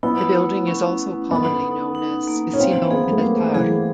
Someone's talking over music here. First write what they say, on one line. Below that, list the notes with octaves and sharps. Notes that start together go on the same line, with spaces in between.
The building is also commonly known as "Casino Militar".
B3 E4
A3
C#4
C#4
B3 A4
D#4
D#4
A#3
C#4
C4 F5
B3 G#4
A3
A#3 C5
E3 G#4